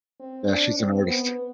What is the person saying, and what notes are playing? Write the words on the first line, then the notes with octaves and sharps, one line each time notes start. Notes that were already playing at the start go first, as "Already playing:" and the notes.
Yeah, she's an artist.
C4
D4
C4
B3